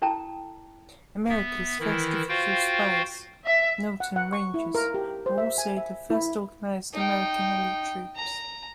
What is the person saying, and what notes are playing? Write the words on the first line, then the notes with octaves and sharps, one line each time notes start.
America's first official spies, "Knowlton's Rangers" were also the first organized American elite troops.
E4 A4 G5 A5 A#5
B3 E5
D#3 E3 E4
F4 F#4 C5 F5 G5
E5
F#5
F#5
C#6
E4
A#4
G4
C5
E5
G#5
E5
E4
D#4 G5
A#5